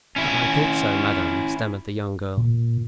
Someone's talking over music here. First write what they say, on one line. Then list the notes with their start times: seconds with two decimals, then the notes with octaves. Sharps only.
"I thought so, madame," stammered the young girl.
0.16 C#4 E4
2.37 A#2